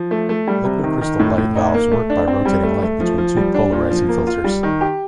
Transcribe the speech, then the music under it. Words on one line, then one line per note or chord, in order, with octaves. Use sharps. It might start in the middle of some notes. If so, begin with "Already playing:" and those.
Liquid crystal light valves work by rotating light between two polarizing filters.
Already playing: F3
A3
A3
G3
C3
D#3
D#3
A2
A2
D#4
A#3
A3
D4
C4
G3
A3
A3
F3
F3
G3
D4
A#2
F3
A#3
F4
G3
D#3
G4